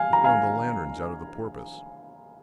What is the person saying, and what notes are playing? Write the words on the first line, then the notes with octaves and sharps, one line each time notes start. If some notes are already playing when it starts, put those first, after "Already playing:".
"With one of the lanterns out of the Porpoise."
Already playing: F5 G#5
A#5
F5 G#5